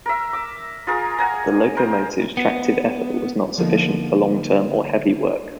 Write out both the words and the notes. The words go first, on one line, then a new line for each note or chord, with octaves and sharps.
The locomotive's tractive effort was not sufficient for long term or heavy work.
A#4 E5
D6
F4 G#4 A#4
F#5 G#5 A#5
A#4 C5
B3
D3 F3 A#3 B3 D4 D#4